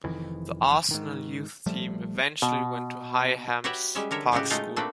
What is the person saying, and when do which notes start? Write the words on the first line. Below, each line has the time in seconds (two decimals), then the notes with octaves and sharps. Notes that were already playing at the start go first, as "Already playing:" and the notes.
The Arsenal Youth Team eventually went to Highams Park School.
0.04 F1 F2 D#3 E3
0.91 G#2 D#3
1.66 A#1 F3 G3 A3
2.42 B2
3.64 F#4 G4 B4 C#5 E5 F#5
3.95 G3 G#3 C#4 E5
4.11 D3 A#4 C#5 E5
4.32 A2 C#3 G#3 F#4 G4
4.50 G#3 A3 D#4 F4 F5 G5
4.76 A3 A#3 C4 D4 A4 B4